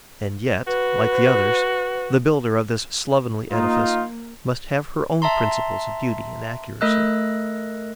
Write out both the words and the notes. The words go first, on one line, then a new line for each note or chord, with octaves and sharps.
And yet, like the others, the builder of this slovenly edifice must have her own principles of beauty and accuracy.
F#4 B4
A#3 D#4 F4
E5 A5 A#5 C6
A3 A#4 D#5 E6 F#6